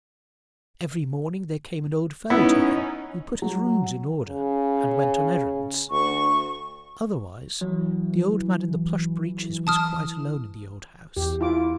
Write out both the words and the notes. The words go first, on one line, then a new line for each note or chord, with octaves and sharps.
Every morning there came an old fellow to him who put his rooms in order, and went on errands; otherwise, the old man in the plush breeches was quite alone in the old house.
B3 C#4 D#4 E4
F#3
C#3
D2 C#6
E3 F#3
A5 D#6 F6
E2 G4
E4 F4 D6